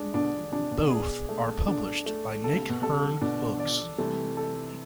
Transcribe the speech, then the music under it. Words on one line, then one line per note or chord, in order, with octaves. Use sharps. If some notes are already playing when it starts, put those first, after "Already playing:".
Both are published by Nick Hern Books.
Already playing: G#3 D4
B2 D3 D4
D3
C3 D4
B2
G#4
A3
D4
A3
D3 A4
C3
B2
C3 A4
B2 D3 D4
D5
C3 E3 A3
A4